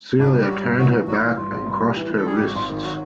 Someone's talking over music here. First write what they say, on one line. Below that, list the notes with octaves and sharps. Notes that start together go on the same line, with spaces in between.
Celia turned her back and crossed her wrists.
G#1 D4
G3
G4
F#3 G3 F#4
G2
E3 F#3 F#4
E3
G#1 F#3 F#4
E3
G2 F4
G#1
G2
G3
E3
E3
A4
G3 G#4
G#1 G4
F#4
G#1 F4
D#3
F#3 F#4